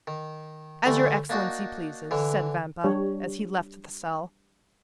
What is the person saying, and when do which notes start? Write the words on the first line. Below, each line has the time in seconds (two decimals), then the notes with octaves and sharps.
"As your excellency pleases," said Vampa, as he left the cell.
0.07 D#3
0.86 D3 E3 G3 A3
1.29 A#3 D4 D#4 F#4
2.11 D3 E3
2.84 G3 D4 G4 C#5